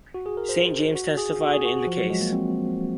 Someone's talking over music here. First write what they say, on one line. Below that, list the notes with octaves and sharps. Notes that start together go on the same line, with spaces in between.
Saint James testified in the case.
F#4
G#4
A#4
C5
F#4
G#4
F#4
G#4
F#4
F3
F#3
G#3
A#3
C4